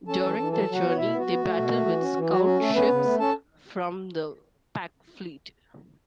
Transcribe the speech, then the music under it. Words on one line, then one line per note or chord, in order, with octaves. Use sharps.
During their journey they battle with scout ships from the Pak fleet.
C#4 A4 A5
E3
E3
F#3 A4 A5
F#3
F#4 F#5
B3
C#5
B2 E4 E5
B3
F#4
B3
A3
B2
A3
E3
C#4
E3
F#3 F#4
C#4 F#4
A3 A4
B3 C#4 B4
C#3
A3
C#4 A4 A5